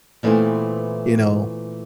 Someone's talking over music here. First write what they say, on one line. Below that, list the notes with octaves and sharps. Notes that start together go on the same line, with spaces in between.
you know
A#2 E3 A3 B3 C4 E4